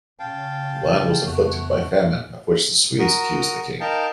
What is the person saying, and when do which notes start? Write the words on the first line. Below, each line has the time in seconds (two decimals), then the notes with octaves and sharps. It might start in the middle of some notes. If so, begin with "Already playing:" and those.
The land was afflicted by famine of which the Swedes accused the king.
0.19 C#3 F5 G5 A5
1.26 F2 A3 B3 F#4
2.99 F#4 A#4 A#5 D#6
3.80 D#4 A#4 F5 G5 A5